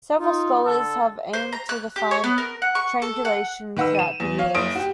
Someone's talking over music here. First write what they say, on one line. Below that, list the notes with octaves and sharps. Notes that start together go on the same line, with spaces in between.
Several scholars have aimed to define triangulation throughout the years.
D#4 F4
D3 A4
C5
A#5
F#6
G4
C#5
B3
A#4
F#5
C#6
A4
F#5
D#3 B4 F#5 B5 E6
D#7 E7
E2
C#5 F5
F#1 D#6 D7
F#4 G4